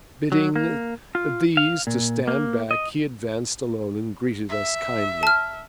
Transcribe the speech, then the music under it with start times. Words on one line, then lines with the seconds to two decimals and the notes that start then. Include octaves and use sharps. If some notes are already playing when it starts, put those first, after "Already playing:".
Bidding these to stand back, he advanced alone and greeted us kindly.
0.32 F#3
0.56 A#3
1.15 F4
1.57 F5
1.87 A#2
2.28 A#3
2.71 D#5
4.50 E5
5.23 A5 F6